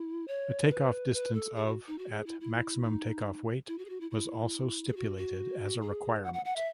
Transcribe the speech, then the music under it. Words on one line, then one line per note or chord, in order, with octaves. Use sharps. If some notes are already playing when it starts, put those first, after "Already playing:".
A takeoff distance of at maximum takeoff weight was also stipulated as a requirement.
Already playing: E4
C#5
B4
B4
A4
G#4
F#4
D#4
F#4
G#4
E4
E4
D#4
E4
F#4
G#4
F#4
E4
E4
G#4
F#4
F#4
G#4
F#5
F#5
F#5
E5